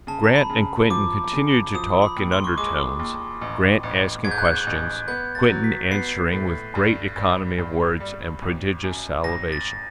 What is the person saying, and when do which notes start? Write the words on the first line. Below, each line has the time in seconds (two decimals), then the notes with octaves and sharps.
Grant and Quinton continued to talk in undertones, Grant asking questions, Quinton answering with great economy of words and prodigious salivation.
0.07 C#3 A5
0.24 A#5
0.36 B5
0.50 C#3
0.90 F3 D6
1.33 C#3
1.75 F3 D#6
2.02 B5
2.17 D#2
2.32 C6
2.44 C#6
2.57 G#3 D6
2.99 D#2
3.41 A1
3.83 A1
4.24 G#2 G#6
4.31 G6
4.38 F#6
4.45 G6
4.67 A1
5.08 B3 G6
5.35 A6
5.50 F#3
5.64 B6
5.91 B3 C7
6.32 A2
6.75 G2
7.16 G2
7.58 G2
8.00 G3
8.42 G#1
8.83 F#2
9.24 G#1 A#6
9.52 A6